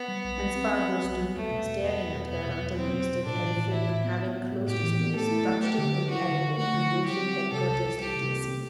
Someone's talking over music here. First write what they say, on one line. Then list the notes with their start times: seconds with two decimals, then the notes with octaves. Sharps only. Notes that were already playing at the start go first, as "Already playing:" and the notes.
And Spargo stood staring at her until Mr. Elphick, having closed his doors, touched him on the elbow, and motioned him courteously to a seat.
Already playing: B3
0.08 G3
0.25 B1
0.40 G3
0.56 C4
0.72 C4
0.88 C4
1.04 B1
1.20 G3
1.36 E2 A3
1.51 B2
1.67 E2
1.83 E2 B3
1.99 E2
2.14 B2
2.30 E2 B3
2.46 B2
2.62 E2
2.78 F#3 C4
2.94 B2
3.10 B2
3.25 A2 D4
3.41 E3
3.56 A2
3.72 E3 E4
3.89 A2
4.05 B3
4.20 B3
4.36 B3
4.52 A2
4.67 A2 G4
4.84 E3
5.00 B3
5.15 A3 A4
5.31 E4
5.47 A3
5.63 G4 B4
5.78 D3
5.94 B4
6.10 E4 F#4
6.25 D3
6.41 D3
6.58 A3 F#4
6.74 D3
6.89 E4
7.05 G3 G4
7.21 C4
7.36 G3
7.52 C3 A4
7.69 C2
7.85 C2
8.00 G3 G4
8.16 C3
8.32 C4
8.47 C3